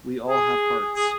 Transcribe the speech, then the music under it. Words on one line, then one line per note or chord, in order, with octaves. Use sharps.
We all have hearts.
G#4
G#4